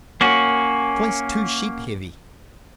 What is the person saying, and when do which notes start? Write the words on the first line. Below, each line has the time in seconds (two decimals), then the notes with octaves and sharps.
Twice two sheep heavy.
0.21 A#3 C#4 F#4